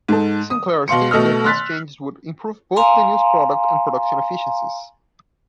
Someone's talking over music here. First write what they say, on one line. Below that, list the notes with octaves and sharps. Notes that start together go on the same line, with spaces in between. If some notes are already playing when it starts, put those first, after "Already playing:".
Sinclair stated that these changes would "improve both the news product and production efficiencies".
G#2 A4
D#6
B2 F5 C6 C#7
B2 A3 D#5 E6 F6
C6 F6 F#6 A6 B6
F5 G#5 A#5 C6